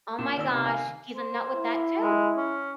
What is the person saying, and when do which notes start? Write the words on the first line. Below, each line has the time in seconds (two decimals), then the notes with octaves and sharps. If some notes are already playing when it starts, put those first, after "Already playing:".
Oh my gosh. He's a nut with that too!
0.19 A#2 E7
0.37 D#3 D5 E6
0.50 C3 B3
0.66 F5 G#5 C7
1.16 C5
1.55 E4
2.02 G#3
2.37 C#4